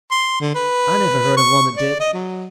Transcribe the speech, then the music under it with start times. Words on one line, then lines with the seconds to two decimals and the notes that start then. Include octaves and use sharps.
"I never heard of one that did."
0.11 C6
0.41 D3
0.55 B4
1.37 C#6
1.77 D5
2.00 D#5
2.14 F#3